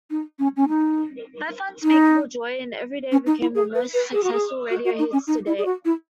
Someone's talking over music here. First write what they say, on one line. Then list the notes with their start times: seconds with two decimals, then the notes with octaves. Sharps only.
Both "Unspeakable Joy" and "Everyday" became her most successful radio hits to date.
0.11 D#4
0.39 C#4
0.57 C#4
0.68 D#4
1.83 D#4
3.12 C#4
3.26 D#4
3.41 E4
3.55 G#4
3.75 B4
3.94 B4
4.13 G#4
4.24 F#4
4.33 G#4
4.70 F#4
4.85 F#4
4.99 D#4
5.13 C#4
5.27 D#4
5.46 E4
5.58 G#4
5.65 F#4
5.85 E4